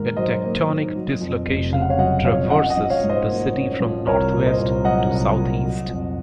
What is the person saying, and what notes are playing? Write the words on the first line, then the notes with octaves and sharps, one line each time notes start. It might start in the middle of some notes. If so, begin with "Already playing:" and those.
A tectonic dislocation traverses the city from north-west to south-east.
Already playing: G#2 D#3 A#3 A#4
F#3 C5 D#5
A#3
D#3
F#3
F2
F1
C#3 F5
F#5
C#5 F5
F#3 D#5 F#5
F2 C#5 F5
C#4 D#5 F#5
D#5 F#5
F3
C#5 F5
G#2
C5 D#5
A#3
C#4
F3
C2 A#4 C#5
A#2
C5 D#5
C2
F#3 D#5 F#5
C2
A#2
F#3
F2